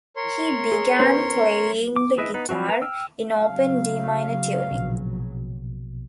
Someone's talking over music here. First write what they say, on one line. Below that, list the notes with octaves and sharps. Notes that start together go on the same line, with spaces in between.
He began playing the guitar in open D-minor tuning.
A#4 C#5 C6
G#4
B3 C#4 C5
D6
G#4 B4 D#5 E5
B3 D#4 B4
F3 F#3 C4 F#4
B4 A#5
G5 E6 F6
C#3 F#3 F5
A#1 B2